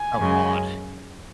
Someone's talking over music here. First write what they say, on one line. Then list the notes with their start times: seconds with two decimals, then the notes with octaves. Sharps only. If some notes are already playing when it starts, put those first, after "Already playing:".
Oh god.
Already playing: G#5
0.18 F#2 C#3 G#3